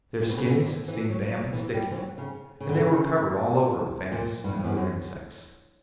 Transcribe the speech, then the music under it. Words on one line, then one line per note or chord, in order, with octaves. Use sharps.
Their skins seemed damp and sticky, and they were covered all over with ants and other insects.
A#2
B2
C#3
D3
E3
D3
E3
F#3
F#3
E3
G3
E3
F#3
C#3
C#3
D3
C#3
A#2
G2
E2
F#2